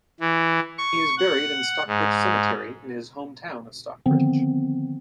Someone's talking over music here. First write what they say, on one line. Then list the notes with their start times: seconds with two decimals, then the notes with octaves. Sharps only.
He is buried in Stockbridge Cemetery, in his home town of Stockbridge.
0.20 E3
0.78 C#6
1.18 F#5
1.87 G#2
4.06 D3 D#3 F3 B3 C4